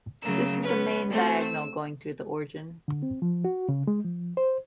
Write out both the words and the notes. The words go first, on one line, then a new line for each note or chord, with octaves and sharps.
This is the "main diagonal" going through the origin.
C#3 F#3 A3 A#3 E6
B3 C#4 B4
A3 C4 F#4
E6
D3
C4
F3
F#4
C#3
G#3
F3
C5